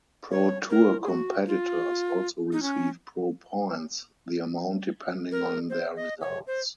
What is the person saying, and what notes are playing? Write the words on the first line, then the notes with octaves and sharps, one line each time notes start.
Pro Tour competitors also receive Pro Points, the amount depending on their results.
C#5
A#4
G#4
F#4
F4
D#4
C#4
A#4
C5
D#5
C#5
C5